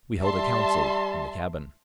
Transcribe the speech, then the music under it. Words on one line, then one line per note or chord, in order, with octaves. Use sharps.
We held a council in the cabin.
G3 E5 A5 C6